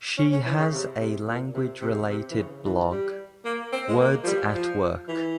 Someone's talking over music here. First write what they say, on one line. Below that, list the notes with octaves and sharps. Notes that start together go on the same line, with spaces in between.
She has a language-related blog, Words at Work.
C#4
C#4
E3
C#3
C3
C3
A#2
C3
C3
C3
E3
C#3
E3
G3
A#3
C4
G#3
A#3
F3
G3
F3
E3